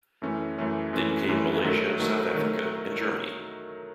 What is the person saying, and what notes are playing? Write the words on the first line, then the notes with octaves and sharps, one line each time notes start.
Then came Malaysia, South Africa and Germany.
F#2 E3 A3 C#4
F#2 E3 A3 C#4
F#2 E3 A3 C#4
F#2 E3 A3 C#4
D#3 F#3 A3
D#3 F#3 A3
D#3 F#3 A3